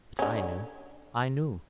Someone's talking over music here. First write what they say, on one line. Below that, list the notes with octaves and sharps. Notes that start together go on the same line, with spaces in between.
But I knew, I knew!
D3 C#4